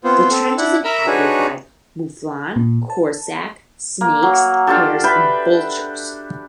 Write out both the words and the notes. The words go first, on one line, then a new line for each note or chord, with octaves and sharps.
The trench is inhabited by mouflon, corsac, snakes, hares and vultures.
B3 C4 F4 C5
C4 A4
D4 E4 F#5
A#4 E5 A#5 B5 E6
D4 D#4 F#4 G#4 B4 C#5
A#2
A5
A#3
F#3
D4 F4 G4 A4
B4 E5 G5 B5